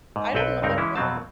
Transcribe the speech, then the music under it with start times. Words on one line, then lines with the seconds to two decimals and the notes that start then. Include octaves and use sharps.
I don't know much about her.
0.16 G#2
0.35 B1 C4 A4 B4 G5
0.62 C#2 G2 C4 D#4 A#4
0.78 E3 G#3 C#4 E4
0.96 F2 B2 F#3 C4 A5